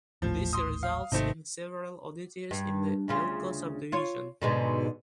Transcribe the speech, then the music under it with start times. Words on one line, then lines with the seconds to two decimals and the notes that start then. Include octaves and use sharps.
This results in several oddities in the Elko Subdivision.
0.22 D#1 A1 A2 F3
0.53 C6 D#6
0.83 F5
1.12 G#1 C3 A3 C4 D#4
2.51 G2
3.08 D2 C#3 F4
3.92 F4 C#5
4.42 G#2 B2 D3